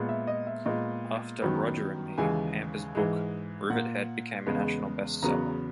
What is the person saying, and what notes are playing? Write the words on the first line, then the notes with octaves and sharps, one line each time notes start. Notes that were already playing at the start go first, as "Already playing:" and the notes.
After "Roger and Me", Hamper's book "Rivethead" became a national bestseller.
Already playing: A#2 G#3 B3
E5
D#5
E5
A#2 G#3 B3 D#5
F#2 D#3 F#3 B3
D#2 C#3 E3 G#3 G#5
G#2 E3 G#3
A#2 A#3 F#5
E2 C#3 G#3 B3
E2 C#3 F#3 B3 A#5